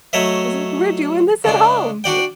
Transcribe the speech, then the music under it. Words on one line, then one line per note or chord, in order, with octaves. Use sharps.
he was like "We're doing this at home."
F#3 A3 C#5 D#5 E5
C#3 G#3 D4
D4 F#4 D5 G5